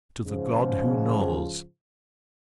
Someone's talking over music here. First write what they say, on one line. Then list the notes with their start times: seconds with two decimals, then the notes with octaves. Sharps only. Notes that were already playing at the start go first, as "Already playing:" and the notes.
To the god who knows.
0.25 G#2 C#3 F3